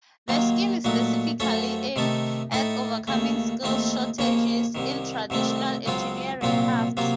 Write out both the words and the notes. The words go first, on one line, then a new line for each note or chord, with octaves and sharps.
The scheme is specifically aimed at overcoming skills shortages in traditional engineering crafts.
D#2 D#3 F#3 A#3 F4
A#2 F#3 A3 D#4 F#4
F#2 F3 A3 C#4 A4
C3 D#3 A3 D#4 A4
A2 A3 D#4 A4
D#2 C#3 A3
D#2 D#3 A3 C4 D#4
D#2 C#3 F3 A#3 C#4
C2 C3 D#3
C2 C3 D#3 A3 C4
C#2 C#3 F#3 C4 F4
C2 A#2 F#3 C4 F4
C3 F#3 A#3 F4